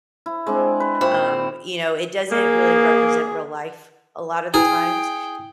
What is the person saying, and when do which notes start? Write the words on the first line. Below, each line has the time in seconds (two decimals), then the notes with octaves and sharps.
Um, you know, it doesn't really represent real life a lotta the times,
0.26 E4
0.46 G#3 C4 D4
0.80 B4
1.01 A#2 C4 E4 C#6
2.32 A#3 G#4
4.54 E4 G#4 B4 G5